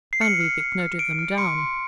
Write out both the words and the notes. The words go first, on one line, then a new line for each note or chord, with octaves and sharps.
Van Riebeek noted them down.
C7
F6 C#7
F6
F6
F6
F6 D7
F6
C6 C#7
C6